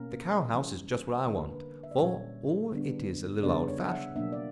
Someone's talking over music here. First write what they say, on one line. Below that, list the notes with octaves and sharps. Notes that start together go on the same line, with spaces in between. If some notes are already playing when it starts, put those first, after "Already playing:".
The Carroll house is just what I want, for all it is a little old-fashioned.
Already playing: B2 A#3 C#4 A#4
E3 G3 C#4
D3 A#3 D4 B4
A#4
B4
E5
D5
A#2 G3 C#4 C#5
D3 G3 B3 D4
C#3 G3 B3 D4 D5
C#5
F#5
E5
B2 F#3 A#3 D4 E5
D5